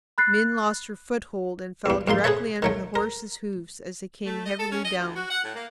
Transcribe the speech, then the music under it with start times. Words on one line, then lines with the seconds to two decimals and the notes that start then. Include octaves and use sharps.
Min lost her foothold and fell directly under the horse's hoofs as they came heavily down.
0.18 B5 F#6 A6 C7
1.86 E2 G2
2.08 F2 G#2 A#3 C6
2.24 G#4 A4 B4 C#5 E5
2.62 D#3 F#3 A3
2.96 A#4
4.26 A3
4.45 D#5
4.59 A4
4.72 C#4
4.85 D#5
4.97 D2
5.15 F#4
5.30 F#5
5.43 A2
5.55 A#3